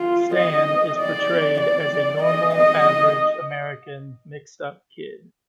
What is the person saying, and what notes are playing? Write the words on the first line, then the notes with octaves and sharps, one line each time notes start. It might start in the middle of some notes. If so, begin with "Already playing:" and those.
Stan is portrayed as "a normal, average, American, mixed-up kid".
Already playing: F4
D#5
D5
D5
D#5
D#5